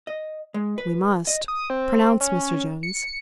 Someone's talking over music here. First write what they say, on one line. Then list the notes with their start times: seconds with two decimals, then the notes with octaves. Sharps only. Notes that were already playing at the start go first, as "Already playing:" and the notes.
"We must," pronounced Mr. Jones.
0.07 D#5
0.54 G#3
0.78 B4
1.27 D#5
1.48 D#6
1.70 C4
2.21 C#4
2.83 C#7